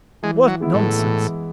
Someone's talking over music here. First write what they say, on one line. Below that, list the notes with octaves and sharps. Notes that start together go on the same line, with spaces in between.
"What nonsense!"
E3 G#3
F#3
G#3 B3 E4
A2
E3